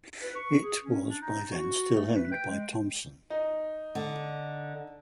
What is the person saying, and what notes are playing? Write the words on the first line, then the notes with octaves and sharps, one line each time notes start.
It was by then still owned by Thomsen.
B4
C#6
G#4
C#4
D4
D#4
F#4
A3
B4
G5
G#3
D#4
D3